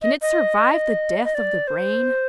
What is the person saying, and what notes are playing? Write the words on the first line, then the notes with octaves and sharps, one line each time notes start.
Can it survive the death of the brain?
D#5
D#5
D#5
D5
C5